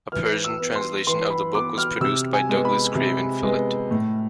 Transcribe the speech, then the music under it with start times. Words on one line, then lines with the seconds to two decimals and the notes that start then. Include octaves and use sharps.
A Persian translation of the book was produced by Douglas Craven Phillott.
0.12 E3 F6
0.44 E6
0.60 B3
0.75 C6
1.07 E3 C6
1.30 B5
1.54 B3 D6
1.78 F6
2.01 C3 E6
2.33 G#5
2.49 G#3 B3
2.65 B5
2.95 C3
3.43 G#3 B3
3.91 A2